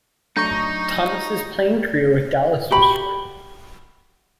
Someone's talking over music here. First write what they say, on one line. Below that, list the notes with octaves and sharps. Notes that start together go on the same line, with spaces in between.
Thomas's playing career with Dallas was short.
F#3 A3 D4 D#4 A#5 C#6 G6 A#6
F#4 G4 B5